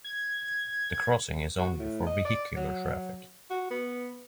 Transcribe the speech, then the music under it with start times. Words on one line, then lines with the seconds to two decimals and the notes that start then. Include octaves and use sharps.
The crossing is only for vehicular traffic.
0.04 G#6
1.58 F#4
1.79 A2
2.07 D#5
2.25 D5
2.57 F#3
3.50 F#4
3.71 B3